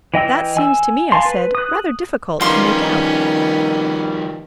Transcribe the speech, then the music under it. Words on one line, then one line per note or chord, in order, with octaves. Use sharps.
"That seems to me," I said, "rather difficult to make out."
E3 D#5 G5 E6
G#5 E6
F5 G#5 A5 C6
B4
D#6 F#6
D#3 F3 G3 A#3 C#4 B4 C6 F6